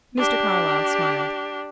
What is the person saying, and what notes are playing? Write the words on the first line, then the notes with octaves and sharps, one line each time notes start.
Mr. Carlyle smiled.
D4 G4